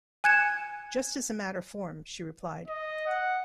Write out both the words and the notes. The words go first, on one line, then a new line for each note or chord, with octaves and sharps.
'Just as a matter of form,’ she replied.
G#5 F#6 G#6 C#7 E7
D#5
F#5